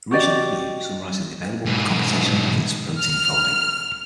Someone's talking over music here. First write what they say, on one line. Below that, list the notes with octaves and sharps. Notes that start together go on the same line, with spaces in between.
A recent review summarizes the available computational methods for protein folding.
F#4 G4 D5 D#5
G#2 B2
F6